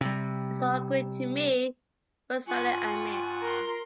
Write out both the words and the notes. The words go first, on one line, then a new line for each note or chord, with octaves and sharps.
It’s all Greek to me”, Rosalie admits.
C3 G3
G2 F4 F#5 G#5 C#6
A#4 C6